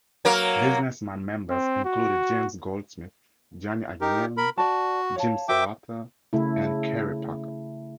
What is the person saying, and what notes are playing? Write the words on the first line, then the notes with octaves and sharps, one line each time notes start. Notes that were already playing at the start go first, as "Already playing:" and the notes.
Businessman members included James Goldsmith, Gianni Agnelli, Jim Slater, and Kerry Packer.
F#3 A#3 A#4
C4
F#4
D#4 G4 A#4
A#4 B5
F#4 D5 A5
C#5 F5 A5
F#4 A#4 C5 E5 G5 D6
C#3 A3 E4